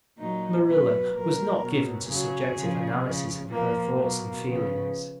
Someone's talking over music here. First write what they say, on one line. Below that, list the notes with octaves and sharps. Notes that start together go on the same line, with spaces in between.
Marilla was not given to subjective analysis of her thoughts and feelings.
A#2 F#3 D#4
B2 F#3 B4
A#2 F#3 A#4
B2 F#3
C#3 F#3 G#4
C#3 F3
C#3 F3
A#2 F3 A#3
B2 F#3 A#3
C#3 F3 B3